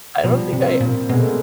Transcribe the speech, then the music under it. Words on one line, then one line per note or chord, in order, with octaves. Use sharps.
I don't think I
B2 F3 G3
C3
A#3 C4
A#2
B2 G#3 A#3
A3